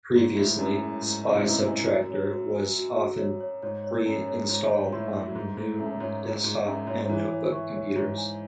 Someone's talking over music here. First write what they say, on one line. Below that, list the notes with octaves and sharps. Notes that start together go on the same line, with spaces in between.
Previously, SpySubtracter was often pre-installed on new desktop and notebook computers.
G#2 G#4
A2 G#4
G#2
F#2 G#4
G#4
G#2 E4
C3 D#5
A2
G#2
F#2 E4
G#5
F#4
C#5
F#4
G#5
F#4
F#4
C#5
C#5
G#2 C#5
C#5
F#2 C#5
C#5
G#2 C#5
C#5
A2 C6
C6
G#2 G#4
G#2 G#4
F#2 E5
G#2 C#5
G#4
G#2 G#4
F#2 E5
G#2 C#5
E3 C#5
C#5
E3 C#6
C#5
G#2 C#5
G#5